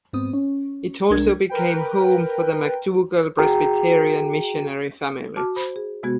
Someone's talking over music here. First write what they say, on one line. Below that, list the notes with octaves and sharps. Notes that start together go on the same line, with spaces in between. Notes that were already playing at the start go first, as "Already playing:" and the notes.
It also became home for the McDougall Presbyterian missionary family.
G#2 B3 C4 D#6
C#4
C2 G#3 D4 A#4 G#6
A#4 B4 G5
F#4 G#4 G5 A#5
F#4 A5 D6 F6
C5 B5
G#4
C3 G#3 B3 F#4 G#6